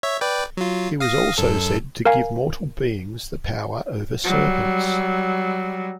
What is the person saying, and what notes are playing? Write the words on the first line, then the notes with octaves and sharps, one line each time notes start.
He was also said to give to mortal beings the power over serpents.
C#5 E5
B4 D5 G5
F#3 F4
F5 D#6 A#6
F#2 A4
A#4 F5 G#5
F#3 G3